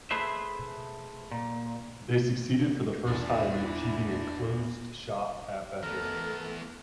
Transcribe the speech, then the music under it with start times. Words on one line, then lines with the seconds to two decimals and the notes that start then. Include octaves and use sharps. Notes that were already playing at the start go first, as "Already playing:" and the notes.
They succeeded for the first time in achieving a closed shop at Bethlehem.
0.11 A3 G#4 B4 C5 E5
1.32 A#2
3.07 E2 A#2 D4 E4
5.83 E3 A3 B3 A4 A#4